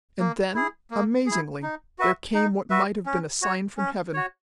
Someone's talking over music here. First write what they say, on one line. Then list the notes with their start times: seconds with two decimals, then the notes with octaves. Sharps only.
And then, amazingly, there came what might have been a sign from heaven.
0.19 A#3
0.55 E4 G#4
0.91 A#3
1.26 E4 G#4
1.62 D#4
1.99 F#4 B4 E5
2.34 D#4
2.70 F#4 B4 E5
3.06 C#4
3.42 F#4 C#5
3.77 C#4
4.13 F#4 C#5